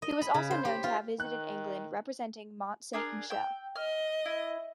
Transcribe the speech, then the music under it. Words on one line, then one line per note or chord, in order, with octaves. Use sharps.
He was also known to have visited England representing Mont Saint-Michel.
D#5
B5
C#3
C5
G4
F4
D#3 F#6
D4 G#4 A#4
G5 E6
D#5 F6
E4